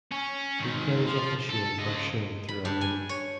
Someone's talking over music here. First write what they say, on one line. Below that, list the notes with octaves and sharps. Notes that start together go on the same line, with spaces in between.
Replays of the show are shown throughout the week.
C#4
G#2 D#3
F3
A4
C#3 D#5
B5
G2
G#5
C#5